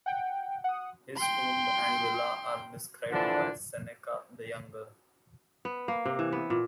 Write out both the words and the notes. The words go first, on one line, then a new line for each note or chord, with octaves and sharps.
His tomb and villa are described by Seneca the Younger.
F#5 G5
F#5 D#6
G5 C6
D3 E3 F3 D4
B3
A#3
C3
E3
B3
A#2